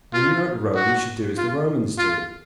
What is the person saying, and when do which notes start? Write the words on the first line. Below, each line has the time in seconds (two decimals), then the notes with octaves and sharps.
When you are at Rome you should do as the Romans do.
0.14 F4
0.75 F#4
1.38 F4
1.98 F4